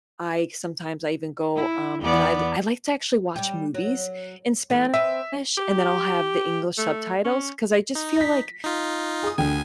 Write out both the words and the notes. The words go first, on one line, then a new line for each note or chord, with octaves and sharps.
I sometimes I even go, um, and I I like to actually watch movies in Spanish, and then I'll have the English subtitles, 'cause I just feel, like,
E4
E2 B3 D5
G3 G4
F#3
E3 A3 D#4
C4 B4 D#5 E5
G4
A3
C#4
D#4
A#6 B6
D#4 F4
G#4 D#6
D2 D3 G5 G#5